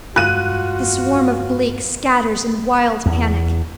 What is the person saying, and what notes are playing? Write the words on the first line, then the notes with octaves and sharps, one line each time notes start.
The swarm of bleak scatters in wild panic.
F1 G2 G#3 F4 F#4 F#6 D#7
E2